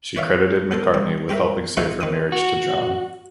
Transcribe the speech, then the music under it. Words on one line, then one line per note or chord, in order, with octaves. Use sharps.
She credited McCartney with helping save her marriage to John.
B4 C#5 D5 E5 F5
B3 A4 A#4 C5
G3 C4
C4 G4 A#4 B4 E5
C3 F3 A3 D#4 F#4 A4
D#3 C4 D#6
F#4